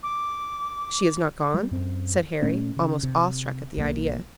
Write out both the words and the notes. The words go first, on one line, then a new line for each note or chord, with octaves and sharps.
"She has not gone?" said Harry, almost awe-struck at the idea.
D6
G3
F#2 C4
A#2 A3 C#4
C#3
C3
B1 F3 A#3